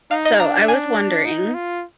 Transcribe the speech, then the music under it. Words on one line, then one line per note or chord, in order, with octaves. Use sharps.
So, I was wondering
D#4 F5
D#5
D4 A#5
G#5
D#4
F4